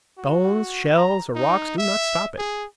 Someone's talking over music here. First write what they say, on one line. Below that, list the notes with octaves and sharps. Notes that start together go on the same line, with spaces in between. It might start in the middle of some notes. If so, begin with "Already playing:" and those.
Stones, shells, or rocks do not stop it.
F#4
A#5
D#4
E5
G#4